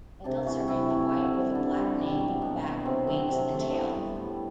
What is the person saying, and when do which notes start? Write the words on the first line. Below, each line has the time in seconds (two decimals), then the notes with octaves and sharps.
Adults are mainly white with a black nape, back, wings and tail.
0.24 C3 D4
0.46 E3 A3 F#4
0.68 C3 E4
0.90 E3 A3
1.12 D3
1.33 G3
1.55 D3 D4
1.77 G3
1.99 B2
2.20 F#3 A3
2.42 B2
2.63 F#3 A3
2.80 B3
2.85 C3 C4
3.07 F#3 A3
3.29 C3
3.50 F#3 A3
3.72 A2 B3
3.94 G3
4.15 A2